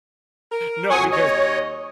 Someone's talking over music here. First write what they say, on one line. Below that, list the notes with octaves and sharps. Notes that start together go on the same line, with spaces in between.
"No, because
A#4
F2 F#3 G#5 C#6 D#6
D#2 C#5 D#5